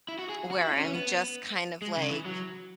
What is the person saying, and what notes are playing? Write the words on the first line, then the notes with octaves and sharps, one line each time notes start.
where I'm just kind of, like
E4
F#4
G#4
F#4
E4
C#4
C#4
B3
G#3
C#3
E3
F#3